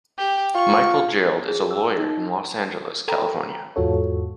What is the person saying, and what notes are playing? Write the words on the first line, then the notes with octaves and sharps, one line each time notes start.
Michael Gerald is a lawyer in Los Angeles, California.
G4
F4 C#6
G#4
E6
D#4
A4 G5 A#5 B5
E2 G#2 F4 F#4 A4 C#5